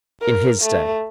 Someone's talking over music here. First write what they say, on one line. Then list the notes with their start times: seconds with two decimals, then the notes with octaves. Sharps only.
In his day!...
0.21 A#4
0.62 A3